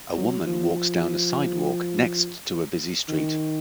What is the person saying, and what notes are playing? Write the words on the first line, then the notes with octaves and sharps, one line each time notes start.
A woman walks down a sidewalk next to a busy street.
F#3
F3
D#3